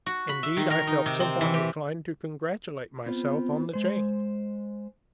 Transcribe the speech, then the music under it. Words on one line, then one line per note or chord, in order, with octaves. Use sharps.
Indeed, I felt somewhat inclined to congratulate myself on the change.
F#4
B5
E5
D#3
A#4
D#4
C3
C4
E3
G4
B3 C4 F4
G#3 C5